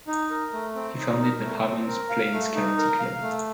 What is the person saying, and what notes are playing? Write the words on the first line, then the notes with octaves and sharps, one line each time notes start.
He founded the Hammonds Plains Karate Club.
D#4
A#4
A3
C4
D#4
A#4
A3
C4
A#4
F5
A3
D#4
A#4
F5
A3